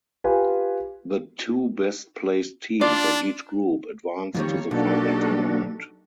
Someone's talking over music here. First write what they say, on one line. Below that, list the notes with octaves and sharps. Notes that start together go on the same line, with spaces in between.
The two best placed teams of each group advanced to the final tournament.
F4 G4 B4 G#5
D4 F4 D5
F2 D#3 G3 A#3 C#5
B1 A#3 D4 D#4 F#4 G4 A4